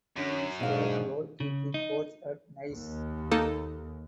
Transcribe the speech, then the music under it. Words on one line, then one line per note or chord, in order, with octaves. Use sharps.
He is the goalkeeping coach at Nice.
F#2 C#4
G#2 B2 D4 G#4 F5
C#3
D#4
D#2
A#3 D#4 A4